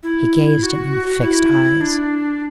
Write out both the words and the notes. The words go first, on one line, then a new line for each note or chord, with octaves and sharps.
He gazed at me with fixed eyes.
E4
F#4
E4
D4